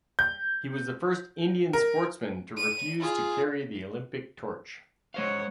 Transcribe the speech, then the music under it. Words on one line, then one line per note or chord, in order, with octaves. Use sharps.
He was the first Indian sportsman to refuse to carry the Olympic torch.
G6
A#4
D#7
F4 G#4
G#3 C5 C#5 F5 F#5